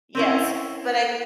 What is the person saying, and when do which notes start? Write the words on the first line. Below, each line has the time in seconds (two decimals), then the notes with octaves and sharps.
Yes, but I
0.15 C4 C#4 E4